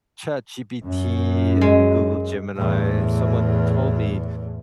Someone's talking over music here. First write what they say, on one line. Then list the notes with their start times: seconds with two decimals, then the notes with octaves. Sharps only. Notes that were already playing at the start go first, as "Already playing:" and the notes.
ChatGPT and Google Gemini, someone told me
0.84 F#2
1.61 G#3
2.55 E2 A2